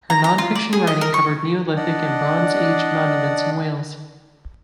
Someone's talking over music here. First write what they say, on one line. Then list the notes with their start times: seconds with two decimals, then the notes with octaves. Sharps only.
Her non fiction writing covered Neolithic and Bronze Age monuments in Wales.
0.10 A#5
0.24 A#5
0.38 F4
0.55 D5
0.73 G#4
0.87 D#5
1.01 A#4
1.14 C#6
1.76 D4 D5 D#5 F#5